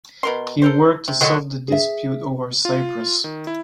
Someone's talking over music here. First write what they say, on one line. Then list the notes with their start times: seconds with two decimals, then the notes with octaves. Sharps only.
He worked to solve the dispute over Cyprus.
0.23 B2 A#4 C6
0.62 A4 A#4 C5
1.08 C3
1.21 D3 D#3 F#3 D#5 F#5
1.68 G#4 E5
2.65 F4
3.24 D#3
3.47 E4